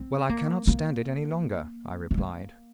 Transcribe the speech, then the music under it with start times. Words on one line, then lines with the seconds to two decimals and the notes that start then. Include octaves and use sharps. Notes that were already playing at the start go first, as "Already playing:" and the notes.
"Well, I cannot stand it any longer," I replied.
Already playing: C4
0.29 A#3
0.67 A#3
2.11 A3
2.18 A#3